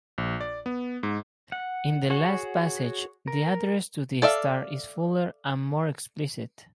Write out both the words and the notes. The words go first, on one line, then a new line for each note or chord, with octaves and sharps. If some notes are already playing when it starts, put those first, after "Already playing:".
In the last passage the address to the star is fuller and more explicit.
A#1
D5
B3
G#2
F#5
F#4 G#4 C#5 F#5
A#4
A4 D5 E5 F5